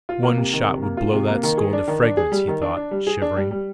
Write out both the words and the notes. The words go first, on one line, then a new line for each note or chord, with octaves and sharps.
One shot would blow that skull into fragments, he thought, shivering.
F4
A#3
C3
D#3
C3
A#3
F4
C3
A#3
D#3
G#4
D4
D#3
D4
G#4
G3
D#3
D4
D4
G3
G#4
D4
G3
G3